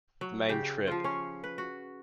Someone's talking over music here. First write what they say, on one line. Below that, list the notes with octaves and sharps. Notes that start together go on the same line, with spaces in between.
The main Trib.
F#3
C#3 G4
F3 F4
C#4 C#5
B4
F#4